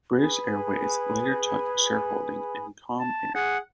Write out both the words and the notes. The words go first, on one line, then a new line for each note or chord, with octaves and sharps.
British Airways later took a shareholding in Comair.
G#4 B4 G#5 B5
A5
G#4 F#5